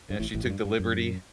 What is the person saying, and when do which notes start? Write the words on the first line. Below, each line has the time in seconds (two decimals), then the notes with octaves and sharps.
Yeah, she took the liberty.
0.10 G2
0.20 A1 A2
0.34 A1 A2
0.45 F#2
0.50 G2
0.65 G2
0.80 F#2